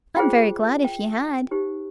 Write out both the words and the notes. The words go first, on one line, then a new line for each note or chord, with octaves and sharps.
I am very glad if you had.'
F4 G#4 C5 G5
G5
D#4 G4 C5